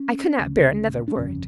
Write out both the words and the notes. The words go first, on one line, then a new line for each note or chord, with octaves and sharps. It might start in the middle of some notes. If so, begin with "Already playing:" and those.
I could not bear another word.
Already playing: C#4
D2 C#3
D4
G1 F2 C#3 C#4